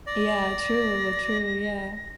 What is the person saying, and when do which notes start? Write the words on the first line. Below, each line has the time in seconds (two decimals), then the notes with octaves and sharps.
Yeah, true, true, yeah.
0.07 D5 A#6